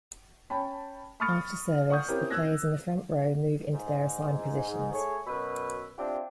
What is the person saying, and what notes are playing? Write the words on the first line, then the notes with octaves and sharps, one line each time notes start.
After service, the players in the front row move into their assigned positions.
C#4 G5 A5 B5
B5 C#6 D#6 F6 A6 C#7
F#5 C#6 D#6 G6
C4 C#4 E4 G4 A#4
E6 F#6 G#6 A#6
G#2
A3 G#4 C#5
F#2 B2 B4 B5 E6
C4 D4 E4 F4 G4